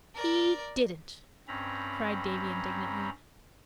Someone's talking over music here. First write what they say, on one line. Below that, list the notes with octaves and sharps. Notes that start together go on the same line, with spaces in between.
"He didn't," cried Davy indignantly.
A#4 D5
G2 C4 C#4 A#5 B5